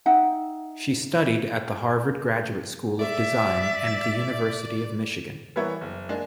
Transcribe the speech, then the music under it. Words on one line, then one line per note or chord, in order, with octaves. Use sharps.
She studied at the Harvard Graduate School of Design and the University of Michigan.
D#4 E5 F#5 G5
D5 E5
E3 G3 B3 A#4 C#5 E5
F#1
G#3 A#3 D4